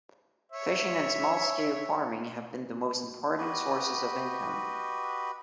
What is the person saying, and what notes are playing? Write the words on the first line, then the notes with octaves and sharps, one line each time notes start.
Fishing and small-scale farming have been the most important sources of income.
C#5 E5
F#4 G4 B4 D#5